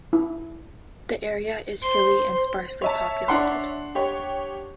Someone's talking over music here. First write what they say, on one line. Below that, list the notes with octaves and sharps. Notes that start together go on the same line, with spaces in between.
The area is hilly and sparsely populated.
E4
C5 C6
C#5 E5 A5
D4 F#5 C6
G4 C#5